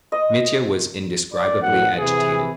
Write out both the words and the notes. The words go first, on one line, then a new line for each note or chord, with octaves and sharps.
Mitya was indescribably agitated.
D#5
D5
A1 F#2 F#5
C3 E3 G#4